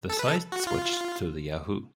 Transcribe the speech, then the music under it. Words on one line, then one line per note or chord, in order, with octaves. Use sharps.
The site switched to the Yahoo!
A4
B4
A4
F#4
F4